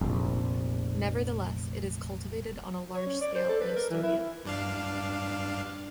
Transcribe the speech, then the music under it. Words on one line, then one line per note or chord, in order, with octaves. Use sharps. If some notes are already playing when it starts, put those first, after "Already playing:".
Nevertheless, it is cultivated on a large scale in Estonia.
F1 A#1
C#5
C#4
D5
C5
A4
B4
A#4
E3
E4
G2 D4 F5